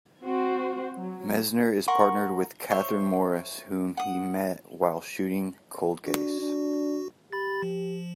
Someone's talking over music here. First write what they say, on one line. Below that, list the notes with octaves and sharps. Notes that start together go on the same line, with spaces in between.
Messner is partnered with Kathryn Morris, whom he met while shooting "Cold Case".
C4 F#4 C5
F#3
A#4 F#5 C6 C#6
C5 C#5 E5
F#5 D#6
D4 F#4
D4
G4 B5 A6
F3